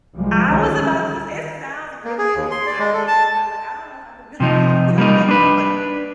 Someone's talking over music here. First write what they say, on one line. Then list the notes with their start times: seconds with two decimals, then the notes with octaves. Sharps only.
I was about to it sounds really addicting. I think I like, I don't know if I could be on a show like that 'cause I'm like,
0.15 C2 F3 G3 G#3
0.47 D2 D#3 C#4
2.05 A#3
2.18 G#4
2.35 D#2
2.51 C6
2.66 D5
2.79 G#3
2.93 A4
3.08 A5
4.40 C3 F3 D#4
4.98 G3 A#3 D#4
5.29 D4 B4